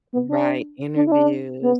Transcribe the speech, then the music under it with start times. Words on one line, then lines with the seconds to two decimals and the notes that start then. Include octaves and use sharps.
Mm, right, interviews.
0.13 B3
0.29 D4
0.95 D4
1.07 E4
1.12 D4
1.62 B3